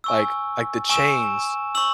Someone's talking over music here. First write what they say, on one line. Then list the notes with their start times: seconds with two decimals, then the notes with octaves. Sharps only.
like like the chains.
0.04 G#5 C#6 E6
0.90 G#5 C#6 E6 E7
1.75 C#6 E6 F#7